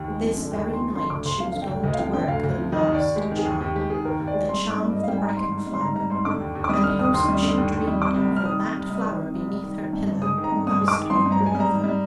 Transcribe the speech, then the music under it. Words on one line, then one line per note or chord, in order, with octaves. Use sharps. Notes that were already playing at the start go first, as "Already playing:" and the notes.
This very night she was going to work the last charm--the charm of the bracken flower--and whoso she dreamed of with that flower beneath her pillow must be her lover.
Already playing: D#2
G#3
F3
D3
D#2 G5
G#3
C6
F3
D3 C6
D2 D6
D2 C6
F3 F5
D3 F5
G5
D2
D2 D#5
F5
F3 G5
D3 G5
D2 F5
D2
F3
D#3 D#5
D#2
D5
D#2
G#3 G4
D#3
G#4
D#2
D#2 G4
G#3 G4
D#3 G#4
D#2 A#4
D#2
D5
G#3
G3 C6
G#2
D6
G3
G#2 D#5
F5
G3 G5
G#5
G#2 A#5
G3 C6
G#2
G3
C6
G#2 A#5
G3 A#5
G#2 C6
D3 D6
D#2
D#2
D6
G3 D#6
D3 F6
D#2 D#6
D#2 C6
G3
D3
D#2
D#2
G3
C3 D6
C2
G3
F6
D#3 D#6
C3
C2
G3
D#3
C3
C2
G3
D#3
D#3
G2
G2
G#3 D#6
D#3
A#5
G2
G2 D#6
G#3
D6
D#3
G2 C6
G2
A#5
G#3
G#5
G3
A#5
G#2
G3